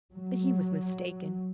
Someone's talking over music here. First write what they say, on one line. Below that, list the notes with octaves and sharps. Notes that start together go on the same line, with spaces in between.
But he was mistaken.
F#3